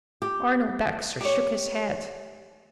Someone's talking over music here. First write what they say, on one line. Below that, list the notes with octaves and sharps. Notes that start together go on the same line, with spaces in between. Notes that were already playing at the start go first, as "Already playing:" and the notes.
Arnold Baxter shook his head.
G4
G4 C#5